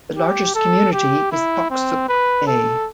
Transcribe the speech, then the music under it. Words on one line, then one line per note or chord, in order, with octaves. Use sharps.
The largest community is Toksook Bay.
G4
A4
G4
E4
C4
B4
A4